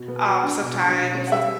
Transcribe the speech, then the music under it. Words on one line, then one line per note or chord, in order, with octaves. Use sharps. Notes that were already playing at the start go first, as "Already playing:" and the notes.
um, sometimes
Already playing: B2
B3
F#3
D4
B2
B2 C#6
B2
C#4
F#5
G3 E5